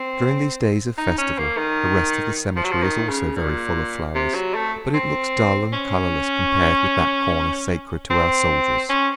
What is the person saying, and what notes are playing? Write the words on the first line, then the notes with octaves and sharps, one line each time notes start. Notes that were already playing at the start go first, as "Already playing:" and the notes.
During these days of festival, the rest of the cemetery is also very full of flowers, but it looks dull and colourless compared with that corner sacred to our soldiers.
Already playing: C4
D#4
C#4
A#3
D#3
F3
F#3
F3
D#3
C#3
A#2
C3
F#3
A3
C4
C#4
C4
C#4